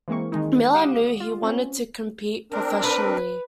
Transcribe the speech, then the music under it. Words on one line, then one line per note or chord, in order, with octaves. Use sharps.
Miller knew he wanted to compete professionally.
E3 G#3 A#3 C4 C#6
D#3 G#3 D#4
G4 F5 F#5 D6 D#6 E7
F4
C4 C#4
C4 D4 A#4
B4